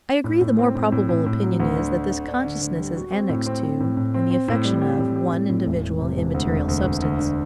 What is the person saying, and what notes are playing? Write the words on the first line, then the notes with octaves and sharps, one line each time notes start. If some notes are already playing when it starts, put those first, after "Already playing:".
I agree, the more probable opinion is, that this consciousness is annexed to, and the affection of, one individual immaterial substance.
A2
A2
C4
A2
A2
A2
A2
F#3
D2
D3
D4
D3
D4
D3
D2
G3
F#4
C4
A2
C4
C4
A2
A2
C4
C4
A2
G3
G4
A2
G4
A2
A2
E1
E1
C3
E1
D2
E1
D2
E1
D2
D3